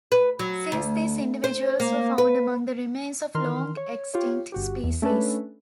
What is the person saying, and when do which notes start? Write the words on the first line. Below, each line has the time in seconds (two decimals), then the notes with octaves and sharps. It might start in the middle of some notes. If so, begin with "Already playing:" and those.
Since these individuals were found among the remains of long-extinct species.
0.12 B4
0.39 F#3
0.72 D2
1.44 C5
1.80 A#3
2.18 B4
3.35 D#3 E3 A#4 C6 F6
3.77 C#5
4.14 F4 G4 C#5
4.52 G1 F#4 G4
4.84 E2
5.02 A3 C#4 D4 A4 B4